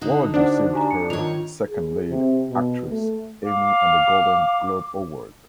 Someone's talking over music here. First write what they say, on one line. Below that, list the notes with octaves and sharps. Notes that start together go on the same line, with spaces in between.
Ward received her second lead actress Emmy and a Golden Globe Award.
D3 D#4 F#4
D4 C5 D5 F#5
G4 G#5 A#5
C#7
D#3 F4 C#5 F7
G#4
C3
B2
A3
F5 D6